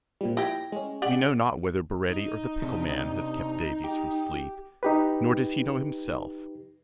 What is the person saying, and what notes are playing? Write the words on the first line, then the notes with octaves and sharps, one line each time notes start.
We know not whether Baretti or the pickle-man has kept Davies from sleep; nor does he know himself.
A#2 F3 G3
E4 G4 A#6
G#3 C#4
G4 D5 F#5
D#4
C3 D4
G4
D#4 G4 B4